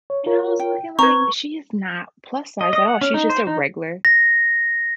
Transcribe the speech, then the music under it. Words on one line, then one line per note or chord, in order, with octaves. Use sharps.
and I was looking like, "She is not plus size at all. She's just a regular
C#5
F4 A#4 C#5
G5
C4 B4 A#5 C#6 G#6
D#5
D#5
F#5
C#4
D#4
C5
D#4
A#6